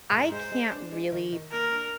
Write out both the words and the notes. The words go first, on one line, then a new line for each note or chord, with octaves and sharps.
I can't really
G#2
G#3 C5
G#3
D4
G#3
D#3
D#3
A#3 A#4
D4